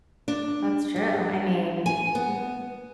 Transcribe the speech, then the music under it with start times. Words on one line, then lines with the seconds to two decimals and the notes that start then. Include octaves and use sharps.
That's true. I mean, yeah.
0.28 D4
0.96 G3
1.86 G#5
2.15 B3